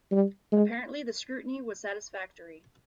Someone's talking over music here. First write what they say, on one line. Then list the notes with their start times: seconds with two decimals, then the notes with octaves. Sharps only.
Apparently the scrutiny was satisfactory.
0.12 G3
0.52 G#3